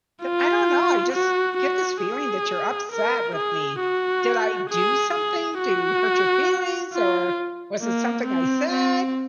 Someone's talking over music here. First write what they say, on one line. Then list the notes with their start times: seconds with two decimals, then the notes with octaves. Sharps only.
Said, "I don't know, I just get this feeling that you're upset with me. Did I do something to hurt your feelings? Or, was it something I said?"
0.23 F4
1.13 F#4
1.57 F#4
2.02 G#4
2.92 A#4
3.36 G#4
3.80 F#4
4.70 G#4
5.14 G#4
5.59 F#4
6.92 F4
7.82 A#3
8.26 C4
8.71 C4